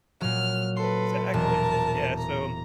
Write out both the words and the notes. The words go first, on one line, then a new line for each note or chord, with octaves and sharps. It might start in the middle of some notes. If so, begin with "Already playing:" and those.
Exactly. Yeah, so
A#2 F#3 F6
A4 B4 C6
E1 A#4 A5
A#5